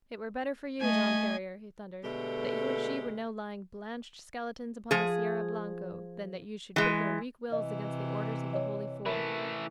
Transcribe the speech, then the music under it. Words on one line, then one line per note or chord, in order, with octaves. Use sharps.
"It were better for you, John Ferrier," he thundered, "that you and she were now lying blanched skeletons upon the Sierra Blanco, than that you should put your weak wills against the orders of the Holy Four!"
A3 D#5 G#5
B2 D3 G#3 A3 G4
F3 G#4
E3 G#3
C3 E3 D#5
C#5 D#5
E3 A3 A#4 E5 B5